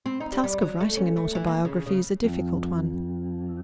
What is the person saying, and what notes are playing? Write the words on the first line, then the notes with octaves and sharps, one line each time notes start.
The task of writing an autobiography is a difficult one.
C4
D#4
G3
G3
F#3
A3
C#4
A3
E3
A#3
C#3
C#3
F2